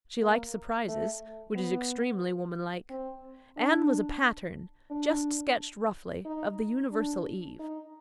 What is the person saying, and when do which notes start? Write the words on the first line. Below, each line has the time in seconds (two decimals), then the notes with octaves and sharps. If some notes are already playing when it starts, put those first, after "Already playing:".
She liked surprises, which is extremely woman-like. Anne was a pattern--just sketched roughly--of the universal Eve.
0.22 A#3
0.88 A3
1.55 B3
2.90 C4
3.57 D4
4.91 D4
6.25 D#4
6.92 D4
7.59 D#4